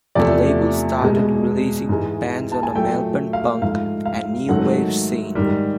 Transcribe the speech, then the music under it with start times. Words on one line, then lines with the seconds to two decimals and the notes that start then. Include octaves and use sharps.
The label started releasing bands on the Melbourne punk and new wave scene.
0.15 E2 C3 F3 A3 D5
1.02 B2 G#3
1.89 G#2 E3 G#3
2.52 A5
2.63 G#5
2.75 A#2 F#3 A3 G5
3.33 F5
3.62 G#2 F3 A3 F5
4.06 F5
4.49 G#2 D#3 F#3 A3 F#5
5.35 G#2 D#3 G3